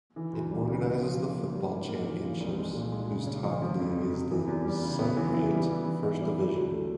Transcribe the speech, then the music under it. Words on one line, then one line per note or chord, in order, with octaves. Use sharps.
It organizes the football championships, whose top league is the Cypriot First Division.
E3
D2
G3
C#3
C#4
F3
F3
A#3
G3
G#2
A#3
E3
F3
C2
G#3
A#2
G#3
C#3
C#4
F3
F3
F2
F2
C3
E3
E2
G3
C#3
B3
E3
E4
G3
B3
E3
E4
G3
F#3
D2
A3